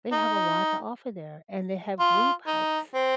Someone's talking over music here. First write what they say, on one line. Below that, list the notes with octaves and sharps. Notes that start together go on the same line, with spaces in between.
They have a lot to offer there, and they have group hikes.
D#4
F4
D#4
C4